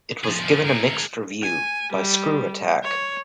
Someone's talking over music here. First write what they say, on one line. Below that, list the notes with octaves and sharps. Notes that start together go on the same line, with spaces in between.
It was given a mixed review by ScrewAttack.
F3 G#4
G#4 A#4
G#5
G3
C#5